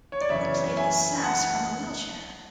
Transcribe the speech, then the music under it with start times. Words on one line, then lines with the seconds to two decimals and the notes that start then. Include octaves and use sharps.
He played his sax from a wheelchair.
0.12 C#5
0.21 D5
0.29 F#2 C#3 E3 C#5 E5
0.77 E5 G#5
1.16 G#5
1.24 F#5 A5